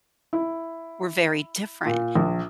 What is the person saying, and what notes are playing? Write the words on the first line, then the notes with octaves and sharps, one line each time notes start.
we're very different.
E4
A#2
A#1